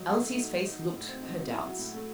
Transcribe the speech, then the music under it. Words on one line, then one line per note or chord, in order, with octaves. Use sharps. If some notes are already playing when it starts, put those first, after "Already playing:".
Elsie's face looked her doubts.
Already playing: D#3 F#3 D#4
A2
A3
D#4
F#3
D#4
F#3
A2
C4
D#4
F#3
E4
F#3
A2
A3